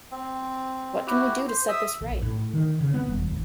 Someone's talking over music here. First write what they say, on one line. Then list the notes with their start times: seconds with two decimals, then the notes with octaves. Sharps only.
What can we do to set this right?
0.11 C4
1.07 E4 F#4 G4
1.48 C5
1.69 E5 D#6 E6
2.01 A#1
2.22 A2
2.53 D#3
2.80 C#3
2.94 B3
3.07 D#1
3.29 G#1